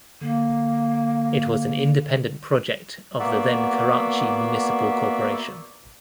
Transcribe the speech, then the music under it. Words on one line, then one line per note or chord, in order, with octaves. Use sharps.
It was an independent project of the then Karachi Municipal Corporation.
D3 A#3
A#3 B3 F#4 D5 E5